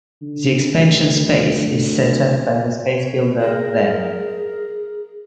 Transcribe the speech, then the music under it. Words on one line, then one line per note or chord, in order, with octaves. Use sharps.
The expansion space is set up by the space builder "then".
D3
D2
C#5
G#4 A#4